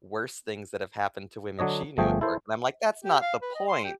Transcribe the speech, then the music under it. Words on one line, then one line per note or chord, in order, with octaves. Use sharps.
worse things that have happened to women she knew at work, and I'm like, "That's not the point."
D3 F#3 D4 C#5 D#5
G1 F3 A3 G#4 G5
E4 A4 C5
G4
F5
B4
D#5
C6
G4